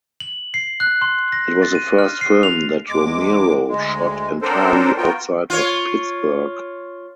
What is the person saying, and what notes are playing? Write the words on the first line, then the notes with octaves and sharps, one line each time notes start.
It was the first film that Romero shot entirely outside of Pittsburgh.
F#7
C7
F#6
C6
A#6
A6
D#7
F6
C7
F7
E2 G#3 D6
D2 G#3
F#3 C4 D4 A4 A#4 C5
B3 F4 F#4 A#4 G5
F4 C#5